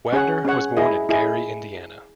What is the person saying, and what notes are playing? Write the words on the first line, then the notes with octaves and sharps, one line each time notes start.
Wagner was born in Gary, Indiana.
C#4 G#4 C#5 F#5
C#4 G#4 C#5 F#5
E4 G#4 D#5
E4 G#4 D#5